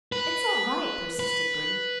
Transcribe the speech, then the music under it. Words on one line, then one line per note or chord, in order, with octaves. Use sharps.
"It's all right," persisted Bertie.
B4
B4